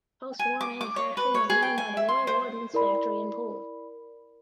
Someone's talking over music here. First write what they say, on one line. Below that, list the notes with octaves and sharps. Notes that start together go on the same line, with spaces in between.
Post war manufacturing was done by the Royal Ordnance Factory in Poole.
G#5
D6
D6
C#5
B4
C#5
G#4
G5
G#5
E5
C6
C5
E4 A#4 D5 B5